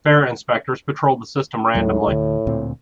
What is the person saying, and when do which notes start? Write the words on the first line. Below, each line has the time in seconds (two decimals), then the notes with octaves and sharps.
Fare inspectors patrol the system randomly.
1.74 D#2 A2 F#3 G#3
2.07 D2 D3
2.47 D2 A#2 C4